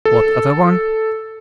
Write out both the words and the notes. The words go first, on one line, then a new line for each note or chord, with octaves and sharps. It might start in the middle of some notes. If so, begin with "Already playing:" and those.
"What other one?"
A4